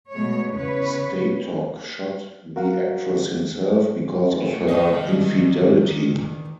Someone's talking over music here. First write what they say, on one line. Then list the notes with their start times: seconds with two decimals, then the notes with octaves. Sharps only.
Statoc shot the actress himself because of her infidelity.
0.11 B2 G#3 A3 C#5
0.53 E2 C#3 B4 C#5
2.56 F#4 A#4 F5 F#5
4.42 A2
4.68 E2 D#3 D#4 D#5
4.93 D#3